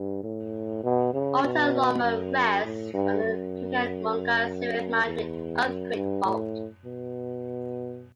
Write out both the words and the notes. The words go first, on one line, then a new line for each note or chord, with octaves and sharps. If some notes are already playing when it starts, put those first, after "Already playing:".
Alta Loma rests on the Cucamonga-Sierra Madre earthquake fault.
Already playing: G2
A2
B2
C#3
B2
F#2
A2
G2
F#2
E2
F#2
G2
A2
B2